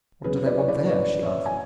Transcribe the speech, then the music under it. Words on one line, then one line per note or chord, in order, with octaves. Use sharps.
"What do they want there?" she asked.
E2 C#3 F#3 G#4 B4
B4 D5
C#5
B4 D5
C#5
B4 D5
C#5 E5
G#5